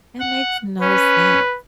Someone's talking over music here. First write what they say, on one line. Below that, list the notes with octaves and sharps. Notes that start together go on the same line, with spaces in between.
That makes no sense.
F#5
C#4 B4